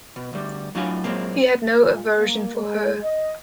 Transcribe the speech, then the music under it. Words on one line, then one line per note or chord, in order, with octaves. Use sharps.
He had no aversion for her.
B2
D2 G3
A2 F#3 D4 F4 F5 G#5
A#2 F#3 G#3 A#3 C4
A#2
A#3
G#3
D#5